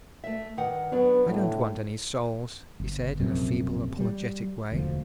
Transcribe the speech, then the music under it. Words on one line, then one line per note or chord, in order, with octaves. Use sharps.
"I don't want any souls!" he said in a feeble, apologetic way.
A3 E5
G2 D#3 F#5
F#3 B3 D4
A2
G1
A#1 F#2 C3
G3
E1 D2 F3